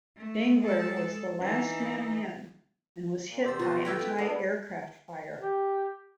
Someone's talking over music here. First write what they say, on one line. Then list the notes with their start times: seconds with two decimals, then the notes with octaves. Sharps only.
Dengler was the last man in and was hit by anti-aircraft fire.
0.17 A3
0.60 G#3 A4
1.41 E3 D#4
3.28 A#2
3.44 E2 C3 C5 D6 E6 A6
3.59 B2 D#3 F4 B4 A6 A#6
3.85 A3 F4 G4 G5 E6 G#6 B6
3.99 B3 D4
4.18 G#3 B3 D4
5.40 G4